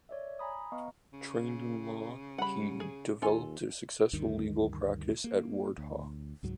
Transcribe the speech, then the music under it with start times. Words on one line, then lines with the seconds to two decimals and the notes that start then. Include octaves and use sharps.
Trained in law, he developed a successful legal practice at Wardha.
0.09 C#5 D5 E5
0.39 G#5 A#5 B5 D#6
0.72 B3 D#5 F5 A#5 C#6
1.13 C#3
2.38 G3 F#5 B5
2.80 G#4
3.22 D#2 F4 A4 G#5
4.13 D2 G2 D#3
5.24 A#3
5.78 D2
6.43 C#2 G#2 F#3